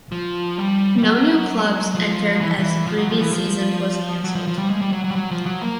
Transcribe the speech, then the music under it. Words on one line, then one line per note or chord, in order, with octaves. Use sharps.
No new clubs entered as the previous season was cancelled.
F3
G3
G3
F#3
F3
E3
E3
F3
F#3
F3
E3
F3
F#3
F3
F3
G3
G#3
G3
F#3
F#3
G3
F#3
F3
F#3
A#3